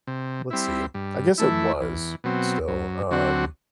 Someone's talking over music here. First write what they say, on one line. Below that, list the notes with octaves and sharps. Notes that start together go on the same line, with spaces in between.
let's see, I guess it was still, um
C3
G3 C4 E4
G2
E3 A3 E4
E2
B2 F#3 C4
F#2
D3 F#3 C4 F#4